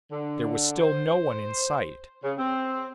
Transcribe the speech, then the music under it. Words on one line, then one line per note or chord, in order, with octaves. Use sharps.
There was still no one in sight.
D3
C5
C#3
C4